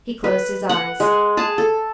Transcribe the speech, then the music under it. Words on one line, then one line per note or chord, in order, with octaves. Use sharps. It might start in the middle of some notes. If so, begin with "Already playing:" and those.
He closed his eyes.
B4
F#5
G#3
G#4 A5
A4